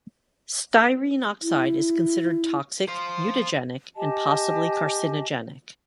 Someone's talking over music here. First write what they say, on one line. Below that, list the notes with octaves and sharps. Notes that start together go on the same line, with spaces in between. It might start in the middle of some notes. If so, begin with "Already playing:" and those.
Styrene oxide is considered toxic, mutagenic, and possibly carcinogenic.
E4
C5 F5
G4 D#5 G#5 A5